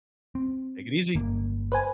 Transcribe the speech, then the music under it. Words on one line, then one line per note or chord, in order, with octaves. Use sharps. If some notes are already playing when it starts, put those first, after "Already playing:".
Take it easy,
C4
G1 A#3
B4 C5 G#5